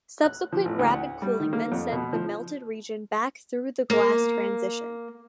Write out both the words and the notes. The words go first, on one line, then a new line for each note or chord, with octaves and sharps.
Subsequent rapid cooling then sends the melted region back through the glass transition.
F#6
F3
A1
D2
F#5
G3
D#3
A#3
F2
B2
F3
A#3